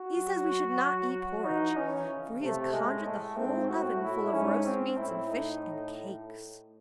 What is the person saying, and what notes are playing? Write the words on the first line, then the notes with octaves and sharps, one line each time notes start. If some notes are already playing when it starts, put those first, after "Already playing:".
'He says we should not eat porridge, for he has conjured the whole oven full of roast meats and fish and cakes.'
Already playing: F#4
F#3
E3 D#4
E3 C#4
C#3
C3 A3
A2 G#3
A3
G#2 C4
A2 F#4
A2 E4
G#2 C#4
C4
A2 E4
D#4